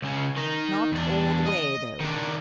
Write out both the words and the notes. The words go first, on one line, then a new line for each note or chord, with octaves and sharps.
Not all the way, though.
C#2 C#3
D#3 D#4
E2 D4
D#5
D#3 D4